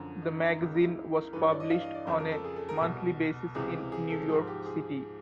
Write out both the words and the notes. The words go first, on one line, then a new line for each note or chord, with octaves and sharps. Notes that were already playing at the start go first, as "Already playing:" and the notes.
The magazine was published on a monthly basis in New York City.
Already playing: F#2 D3 F3
D#4
C#2 C#3 E3 E4
D#4
E4
A#4
G2 E3 B4
C#5
D5
D#5
F5
D#5
D5
F2 C#3 F3 C5
A#4
A4
G#4
A4
A#4
C2 B2
C#2 C3 E3 G#4
G#4
A4
G#2 F3 G#4
G4
G#4